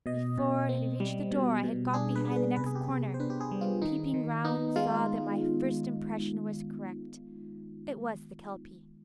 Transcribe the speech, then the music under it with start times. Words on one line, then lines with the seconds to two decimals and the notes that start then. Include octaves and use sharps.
Before it had reached the door I had got behind the next corner, and peeping round saw that my first impression was correct: it was the Kelpie.
0.06 B2 D#5
0.38 B2
0.69 C4
1.00 G3
1.31 B2
1.63 B2
1.94 D4 G#4
2.16 B4
2.25 B3
2.31 G#4
2.36 B4
2.56 C3 B4
2.66 G#4
2.75 G4
2.83 G#4
2.89 C3
3.14 C5
3.20 D4 B4
3.30 G4
3.41 G#4
3.51 G3
3.61 F4
3.82 D#3 D#4
4.14 D#3
4.45 B3 D#4
4.76 G#3 F4